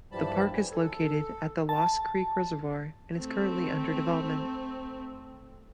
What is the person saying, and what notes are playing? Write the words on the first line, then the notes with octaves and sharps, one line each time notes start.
The park is located at the Lost Creek Reservoir and is currently under development.
G2 E3 F3 G3 A5 B5
G#5
A4
A5
A3 C4